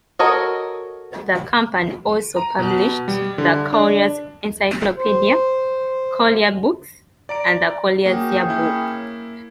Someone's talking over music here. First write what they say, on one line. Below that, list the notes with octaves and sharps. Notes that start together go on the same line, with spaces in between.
The company also published the "Collier's Encyclopedia", Collier Books and the "Collier's Year Book".
F#4 A4 A#4 C#5 D#5
A#5
B2
G3
D3
D4
C5
D5 A#5 D7
A#3 C#4 F#4 G#4 G5
A#3 E4